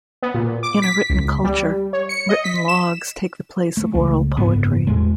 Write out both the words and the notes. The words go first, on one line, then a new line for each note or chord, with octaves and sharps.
In a written culture, written logs take the place of oral poetry.
B3
A#2
D6
B6
C#2
G3
C#5
C#7
D#5
B6
E7
A3
C#2 A3
F#1 G#2 B3
E2 A2 G#3